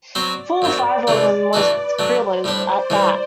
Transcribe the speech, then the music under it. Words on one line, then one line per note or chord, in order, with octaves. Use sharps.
Four or five o' them was thrillers, at that.
F#3 C4 F#4 C5 D5
F#2 F#3 C4 D5
C3 E3 A3 D4
E3 A3 D4 F#4 A4 B4
F#3 A3 D4 C5
A2 G3 D4 G4 D5
A2 E3 G3